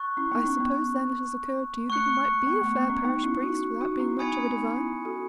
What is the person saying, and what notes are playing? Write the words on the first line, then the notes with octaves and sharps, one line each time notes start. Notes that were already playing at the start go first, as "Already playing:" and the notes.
"I suppose, then, it has occurred to you that you might be a fair parish priest without being much of a divine?"
Already playing: C#6 F#6 A6
C#4 E4
B3 D#4
C#4
B3
A3 C#6 F#6 C#7
B3
A3
B3
C#4
B3 D#4
C#4 E4
D#4 F#4
D#4 F#4
C#4 E4
B3 D#4 G#5 B5 D#6 G#6 C#7
C#4
B3 D#4
C#4 E4
F#4 A4